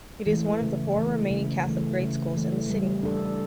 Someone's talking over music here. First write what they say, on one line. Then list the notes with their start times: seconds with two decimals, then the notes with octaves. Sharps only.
It is one of the four remaining Catholic grade schools in the city.
0.27 E3
0.32 A3
0.62 C#3
0.96 E3 A3
1.31 C#3
1.65 E3 A3
2.00 C#3
2.34 E3 A3
2.69 G3
3.03 D4 A4